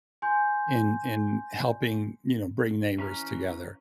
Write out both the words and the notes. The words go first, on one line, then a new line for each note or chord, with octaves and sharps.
in in helping, you know, bring neighbors together,
G#5 C6 G6
E3 C#4 A#5 F6